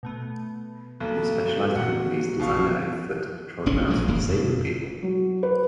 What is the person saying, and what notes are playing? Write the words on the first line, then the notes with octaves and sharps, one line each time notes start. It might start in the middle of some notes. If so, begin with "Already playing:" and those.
Some specialized companies design their own foot controlled mouse for disabled people.
B2 A3 B3
B1 G3 A#3 B3 A4
C4 F#4 G4
A#2 G3 A#3 F#4 F#5
A#1 B2 F5 C#6
E1 A1 C#4 D4
A#1 A#2 F#3 G#3
E1 F#2 A#3
B2
F#3
B4